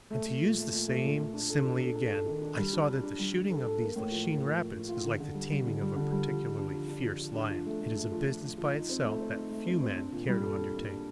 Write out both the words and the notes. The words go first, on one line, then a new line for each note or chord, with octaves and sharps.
And, to use the same simile again, I saw that the shooting of these Lachine Rapids is like the taming of a particularly fierce lion; it is a business by itself that few men care to undertake.
A3
A3
A#2
A3
A#2
A3
A#2
A#2
D4
A4
D4
A4
A4
A4
D#3
D4
G3
D4
D4
D4
G3
G3
A4
A4
A#3
A2
F3
A#3
F3
F3
F3
F4
D3
D3
G3
G3
D3
G3
D3
G3
F3
F3
D4
F3
D4
F3
F3
D4
F3
A3
A3
A3
F3
F3
F3
F3
D#4
C4
A3
C4
D#4
A3
C4
C4
D4
A#2
G3
A4
D4
A#2
D4